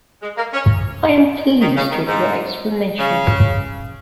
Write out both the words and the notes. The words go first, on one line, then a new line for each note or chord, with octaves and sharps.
I am pleased with your explanation.
G#3
A#3
C#4
D#3
C#3
D#3
G#2
C#3